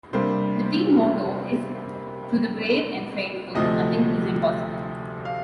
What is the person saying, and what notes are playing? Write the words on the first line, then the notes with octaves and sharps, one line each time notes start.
The team motto is To the brave and faithful, nothing is impossible.
C3 G3 A#3 D4 C5
D2 C3 F3 A3 D#5
F5